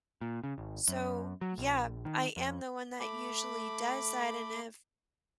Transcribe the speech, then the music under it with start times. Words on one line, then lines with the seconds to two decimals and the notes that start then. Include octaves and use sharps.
So, yeah, I am the one that usually does that, and have
0.21 A#2
0.44 C#3
0.58 G#1
0.88 F#2
1.41 F#3
1.58 A#1
2.05 D#3
2.37 F2
3.00 A3 B5 D6